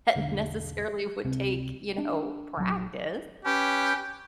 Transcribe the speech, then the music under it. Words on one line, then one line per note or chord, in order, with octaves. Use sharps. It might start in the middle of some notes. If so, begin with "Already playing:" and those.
that necessarily would take, you know, practice,
E1 B1 D3
C#2 C3 C4
D4
A#1 E3 F#3
C#4 G4 B4